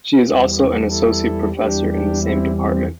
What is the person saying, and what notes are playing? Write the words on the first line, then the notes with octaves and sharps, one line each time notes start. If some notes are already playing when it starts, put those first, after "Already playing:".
She is also an Associate Professor in the same department.
E2 E3 G3
E4 A4
E2 E3 G3 D4 G4
D4 G4
C4 E4
C4